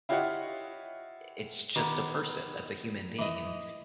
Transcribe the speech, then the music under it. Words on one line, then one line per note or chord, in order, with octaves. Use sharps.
it's just a person, that's a human being. And
E4 F4 G4 C#5 D#5 F#5
D#3 B3 G4
E3 D#5